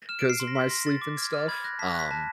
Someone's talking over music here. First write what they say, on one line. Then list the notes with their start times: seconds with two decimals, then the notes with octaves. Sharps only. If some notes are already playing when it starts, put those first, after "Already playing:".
'cause of my sleep and stuff, um
0.09 F6 E7
0.19 D7
0.24 F6
0.30 C7
0.40 C6 C7
0.47 A#6
0.55 C6 B6
0.70 C6 A#6
0.87 C6 A6
1.02 D6
1.17 F6 G#6
1.33 F6
1.40 A6
1.48 B5 G#6
1.64 F#6 A#6
1.79 A5 B6
1.89 A#6
1.94 F#6 B6
2.11 A5